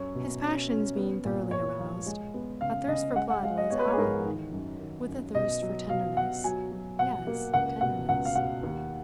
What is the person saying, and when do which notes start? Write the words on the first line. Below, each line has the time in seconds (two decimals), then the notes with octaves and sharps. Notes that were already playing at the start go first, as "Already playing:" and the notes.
His passions being thoroughly aroused, a thirst for blood was allied in him with a thirst for tenderness--yes, tenderness.
Already playing: F#2 C#4 C#5
0.15 B2
0.41 C#4
0.69 C#4
0.96 B3
1.25 A#2
1.51 A#2 C#5
1.79 F3
2.06 G#3
2.34 B3
2.61 C#3 F5
2.88 C#3 D#5
3.16 G#3 F#5
3.30 F#5
3.43 G#3 F5
3.57 D#5
3.70 B3 C#5
3.79 B4
3.88 C#5
3.93 G#4
3.98 G#2 A#4
4.26 D#3
4.52 F#2
4.81 D#3
5.07 F#2
5.35 B2 D#5
5.62 F#3
5.89 B2 F5
6.17 B2 F#5
6.44 F#3 G#5
6.72 F#3
6.99 B2 F#5
7.27 A#3
7.54 C#2 F#5
7.81 B2 F#5
8.09 C#2 F#5
8.25 F5
8.35 B2 F#5
8.63 D#2